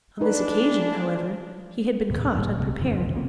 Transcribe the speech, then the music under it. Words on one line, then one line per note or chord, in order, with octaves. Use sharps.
On this occasion, however, he had been caught unprepared.
D#2 E3 D4 D#4 B4
D#1 A2 C3
G1 A#2 G3
C2 C3 A3
F1 F#2 D3 E3
B1 C#3 F3
F1 C#3 A#3 C4